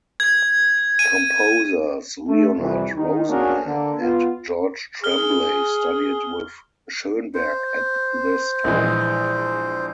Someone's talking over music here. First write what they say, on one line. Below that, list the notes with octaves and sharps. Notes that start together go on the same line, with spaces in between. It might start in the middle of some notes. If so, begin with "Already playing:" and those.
Composers Leonard Rosenman and George Tremblay studied with Schoenberg at this time.
G#6
D#7
A3
C2 F2 E3
D#3 D#4
A#3 C#4 D4 F#4 G#4 A#4
D3 A#3
B3 F4
G#4 F6 G7
C5
A#1 E3 G#3